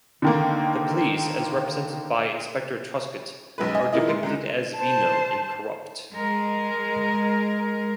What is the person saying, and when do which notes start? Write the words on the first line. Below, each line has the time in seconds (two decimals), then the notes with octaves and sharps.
The police, as represented by Inspector Truscott, are depicted as venal and corrupt.
0.22 D3 D#3 A#3
3.58 F#1 B1 G#3 B4
3.75 D#5 G#5
3.93 A#2 D#3 E4 D#5
4.08 G#3 C6
4.23 C#2 G#3
4.76 C5 A5
6.13 G#3 A#4